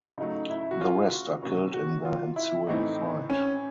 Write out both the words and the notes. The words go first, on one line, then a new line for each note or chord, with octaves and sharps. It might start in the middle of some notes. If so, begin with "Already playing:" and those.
The rest are killed in the ensuing fight.
C#3 F#3 A3 D#4
E4
F#4
F4
F#4
C3 D#3 F#3 A#3 C#4 F#4
F#4
F4
E4
A2 E3 A3 C4 D#4 E4
C#4